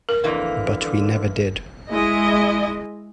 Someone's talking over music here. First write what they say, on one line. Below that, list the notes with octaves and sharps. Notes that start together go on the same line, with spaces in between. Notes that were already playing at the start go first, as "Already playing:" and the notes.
But we never did.
A#4
F2 D3 E3 A#3
G#3 E4 D#5